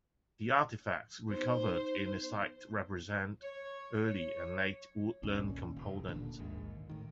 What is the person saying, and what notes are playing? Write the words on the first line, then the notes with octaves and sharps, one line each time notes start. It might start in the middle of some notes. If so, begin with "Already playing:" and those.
The artifacts recovered in the site represent Early and Late Woodland components.
B3 D#4 C5
C#5
C#5
A#1 D#2 A#2 C#4
F1
D2 A#2 D3 D4
A#1 D#2 G#2
A2 D#3